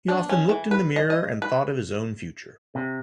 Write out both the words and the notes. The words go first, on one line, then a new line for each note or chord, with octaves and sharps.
He often looked in the mirror and thought of his own future.
D4
C#4
E3
B4
D#5
D#5
B4
C3